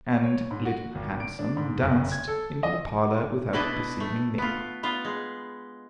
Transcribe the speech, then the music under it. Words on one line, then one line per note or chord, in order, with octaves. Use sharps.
And Little Handsome danced into the parlor, without perceiving me.
C#5
G#2
F#4
G#1
D7
D4
G#2
F#1
G#6
A4
D#5
B2 D4 E4 B4 D#5
A3
B3 F4
B3 F4
G#3